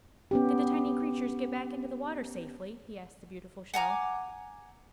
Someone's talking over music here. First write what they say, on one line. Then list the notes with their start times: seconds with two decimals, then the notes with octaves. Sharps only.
"Did the tiny creatures get back into the water safely?" he asked the beautiful shell.
0.31 B3 C#4 G4
3.74 F#5 G#5 A#5 D6